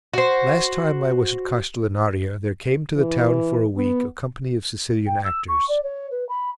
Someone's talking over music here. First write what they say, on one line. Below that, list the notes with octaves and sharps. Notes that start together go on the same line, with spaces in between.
Last time I was at Castellinaria there came to the town for a week a company of Sicilian actors.
F#4 C5
E3
B3
G5
E6
C#6
D5
C#5
B4
B5